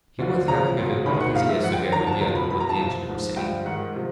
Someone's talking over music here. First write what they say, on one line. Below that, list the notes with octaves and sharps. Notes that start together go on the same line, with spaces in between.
He would have given one of his ears to hear with the other what the engineer was saying.
D2 D3 F3
C#2 C#3 F3 A#5
C#2 B2
D2 C3 D#3 B5
F#5
G#2 F3 F5
E5
F2 D3 F3 F#5
G5
D#2 D3 F3 A#5
A5
C#2 B2 A#5
B5
E2 B2 B5
A#5
A5
C2 A#2 F3
G#2 F3
G2 D3 F3 G5
G#2 D#3 F#5
C3 F3